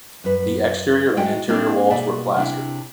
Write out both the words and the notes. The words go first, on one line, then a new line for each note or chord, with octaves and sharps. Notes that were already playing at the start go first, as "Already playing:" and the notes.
The exterior and interior walls were plastered.
F#2 B4
G#3 D#4 F#4 E5 G5 G#5
A#3 C4 D4 D#4 G4
B2 A#3 G#4 A4 D5 E5
C3 D4 E4